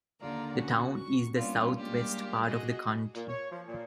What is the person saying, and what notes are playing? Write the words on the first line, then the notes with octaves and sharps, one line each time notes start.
The town is in the southwest part of the county.
D#2 D3 A#3 F4 D5 A#5
C#4 F#4 F#5
C#6
G3 A#3 B3 C#4 D4 F4
G3 G#3 A#3 D4 F4 G4
F#4 G#4 D#5
A#2
C#5
F3
A#2